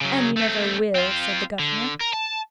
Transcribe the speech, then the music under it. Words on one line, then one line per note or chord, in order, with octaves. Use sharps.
"And you never will," said the governor.
C#3 F#3
A3 C4
C4 F4
D3
A#4
A5